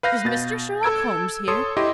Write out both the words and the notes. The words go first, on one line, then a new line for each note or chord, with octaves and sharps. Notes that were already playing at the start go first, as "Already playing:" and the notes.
"Is Mr. Sherlock Holmes here?"
B4 F5 G6 A#6
B2 A6
A4 E6 G#6 D7
A4 C#5 C6 D#6
E4 G4 D#5 C6